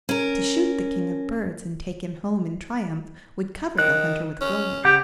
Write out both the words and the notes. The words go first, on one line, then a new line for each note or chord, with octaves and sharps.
To shoot the king of birds and take him home in triumph would cover the hunter with glory.
C#4 A#4
D#3 F#6
C#4
C#3 G4 F#5 G6